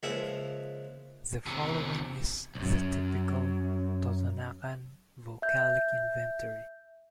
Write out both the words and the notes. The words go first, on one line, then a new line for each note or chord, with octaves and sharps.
The following is the "typical" Totonacan vocalic inventory.
C#2 F3 G#3 A#3 E5 F#5
E2 C3
C2 F#2
E5 G6